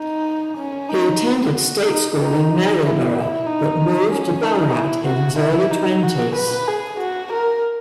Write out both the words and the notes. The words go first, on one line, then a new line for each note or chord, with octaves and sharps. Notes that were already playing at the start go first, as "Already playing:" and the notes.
He attended state school in Maryborough, but moved to Ballarat in his early twenties.
Already playing: D#4
C#4
D#4
F#4
D#4
D#4
E4
E4
D#4
C#4
D#4
E4
F#4
E4
D#4
F#4
B4
G#4
F#4
A#4